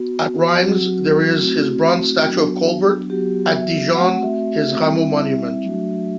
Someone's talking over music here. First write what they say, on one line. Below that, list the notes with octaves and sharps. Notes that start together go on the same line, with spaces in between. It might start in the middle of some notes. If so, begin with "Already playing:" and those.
At Reims there is his bronze statue of "Colbert", at Dijon his "Rameau" monument.
Already playing: B3 F#4
F#3 C4 F#4
A3 C4 E4 F#4
F#3 B3 D4
F#3 B3 F#4 G4
E5
A3 C4 F#4 F#5
E5
E5
G3 C4 E4
F#3 A3 D4 F#4